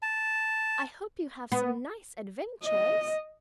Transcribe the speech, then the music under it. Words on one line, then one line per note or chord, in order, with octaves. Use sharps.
"I hope you have some nice adventures!"
A5
B3
D#5